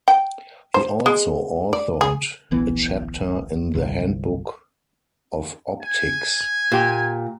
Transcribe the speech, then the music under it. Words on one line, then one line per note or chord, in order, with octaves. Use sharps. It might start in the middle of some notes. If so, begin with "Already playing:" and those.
He also authored a chapter in the Handbook of Optics.
G5
C5
G#3
D5
G#4
D1 A#1 E3 B3
G1 C2
G#5
A#2 G4